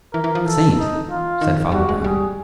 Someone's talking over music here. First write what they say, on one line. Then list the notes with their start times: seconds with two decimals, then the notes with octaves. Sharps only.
"A saint," said Father Brown.
0.13 E3 A#4
0.24 E3
0.35 F3
0.45 E3 A4
0.77 D#4
1.09 F4
1.41 D#3
1.72 G3 F#4
1.89 G#3
2.04 G3 G#4